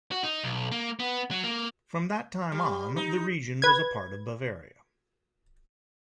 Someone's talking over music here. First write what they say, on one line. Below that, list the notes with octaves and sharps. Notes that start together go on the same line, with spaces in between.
From that time on the region was a part of Bavaria.
F#4
D#4
B1
A#3
B3
F#3
A#3
G3
D#4
B4 G#6